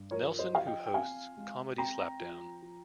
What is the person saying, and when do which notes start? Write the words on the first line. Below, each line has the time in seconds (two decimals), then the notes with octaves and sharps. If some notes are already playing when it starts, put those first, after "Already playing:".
Nelson, who hosts "Comedy Slapdown".
Already playing: G2
0.11 F3 A#4 C#5
0.39 C5 D#5
0.52 F3 F5
0.66 D#5 G5
0.86 G5
0.94 C4 F5 G#5
1.37 G#3
1.78 C4 G5 A#5
2.20 F3
2.62 F3